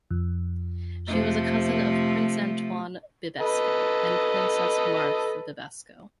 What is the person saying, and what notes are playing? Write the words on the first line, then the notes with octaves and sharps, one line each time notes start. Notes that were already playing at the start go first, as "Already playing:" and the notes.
She was a cousin of Prince Antoine Bibesco and Princess Marthe Bibesco.
F2
C3 F3 A3
A4 B4 D#5